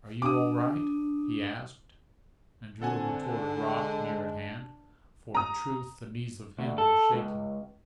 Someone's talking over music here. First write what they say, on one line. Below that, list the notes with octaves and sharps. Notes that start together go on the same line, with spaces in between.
"Are you all right?" he asked, and drew her toward a rock near at hand--for in truth, the knees of him were shaking.
D4 D6 D#6
D3 C4 D4 A4 F#5 G#5
G#3
A#5 D#6
D2
A4
C#2